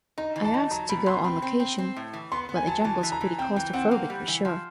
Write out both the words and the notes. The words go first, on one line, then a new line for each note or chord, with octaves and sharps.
I asked to go on location, but a jungle's pretty claustrophobic, for sure.
D#4 A#5
E3
A5
D#4
F#3 A#5
B2 B5
B2 C6
C4 B5
C4
C4
C4
A2
E3
B3 C6
B3
G#5
F#3 A5
E3 A5
E3
A#5
E3
C4 G5
E3 G5
C4 F#5
A#3
G3
E3
F3